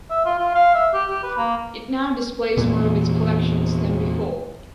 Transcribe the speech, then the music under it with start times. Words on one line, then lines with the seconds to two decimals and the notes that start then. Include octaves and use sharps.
It now displays more of its collections than before.
0.10 E5
0.25 F4
0.39 F4
0.55 F5
0.75 E5
0.94 G4
1.10 G4
1.23 B4
1.37 A#3
2.57 E2 A#2 E3